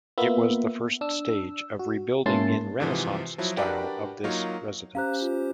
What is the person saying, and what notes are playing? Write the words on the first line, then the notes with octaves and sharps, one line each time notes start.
It was the first stage of rebuilding in renaissance style of this residence.
A#3 B3 F4 E5
D4 E6
F#4
G#2 A#3 C#4 E4 A5 C6
G#2 C3 E3 F3
F3 F#3 E4
D4 F#4 G4 A#4 B4 D5
F#3 A#3 D#4 F4 C#5
C#4 G4 C5 F5 A#5 F#6
F4